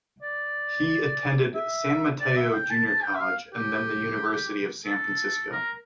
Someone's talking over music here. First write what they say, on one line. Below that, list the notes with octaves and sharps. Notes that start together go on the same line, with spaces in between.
He attended San Mateo Junior College and then the University of San Francisco.
D5
E5
D5
E5
G5
A5
A5
G5
E5
F5
G4
A4
A#4